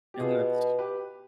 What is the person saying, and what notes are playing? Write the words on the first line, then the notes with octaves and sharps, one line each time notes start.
and that's
G4
B2 F4 G#4
G4 B4